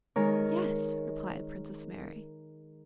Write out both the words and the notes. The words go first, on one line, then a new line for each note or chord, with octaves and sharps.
"Yes," replied Princess Mary.
D#3 G#3 A#4 C#5